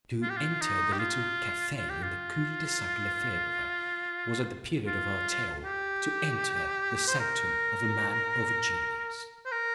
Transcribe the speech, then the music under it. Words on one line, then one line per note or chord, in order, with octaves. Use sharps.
To enter the little Cafe in the cul-de-sac Le Febvre was, at the period of our tale, to enter the sanctum of a man of genius.
F4
G4
F4
D#4
G4
F4
F4
G4
F4
F4
G4
C5
A#4
C5
A#4